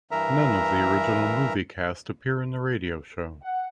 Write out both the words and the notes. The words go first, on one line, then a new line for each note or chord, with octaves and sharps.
None of the original movie cast appear in the radio show.
G2 E3 A#4 E5 A#5
F#5